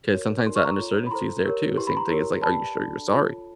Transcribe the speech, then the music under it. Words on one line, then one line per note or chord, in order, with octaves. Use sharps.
'cause sometimes that uncertainty is there too, same thing is like, are you sure you're sorry?
F#4 A#4 C#5
D#4 F#4 A#4 D5 C6
C#6
A#5 C6
F4 A4 C#5
B5
E4 A4 C5 A#5 C6
G4 A#4 C#5
E4 G4 B4 C6
B5
A#5 C6
E4 G4 A#4 C#5
G4 B4 D5 A5 B5
D4 F#4 A4 D5
F4 A4 C#5